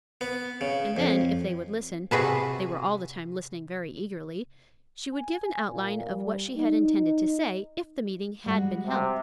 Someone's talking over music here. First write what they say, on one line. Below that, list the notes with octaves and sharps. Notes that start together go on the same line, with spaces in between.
And then, if they would listen,--they were all the time listening very eagerly,--she would give an outline of what she had intended to say, if the meeting had been held.
B3
C#3
F2
C3 F#4 G#4 B4 A5
G#5
A#2
G3
D#4
G3 G#3 F#4
C3